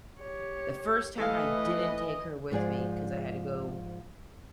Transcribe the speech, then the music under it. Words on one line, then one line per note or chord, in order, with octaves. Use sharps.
The first time I didn't take her with me 'cause I had to go,
G4 C#5
E3 A3 A4 B4 D#5 F5
G#2 F3 G#4 D5